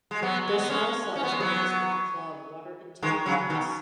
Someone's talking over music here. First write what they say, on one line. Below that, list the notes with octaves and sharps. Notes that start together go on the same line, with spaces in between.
Their small size enables them to clog water intake pipes.
G#3
F#3 B3
G#3
B3
G#3 C#4
C#4
B3
G#3
F#3 B3
D#3 G#3
C#3 F#3
B2 D#3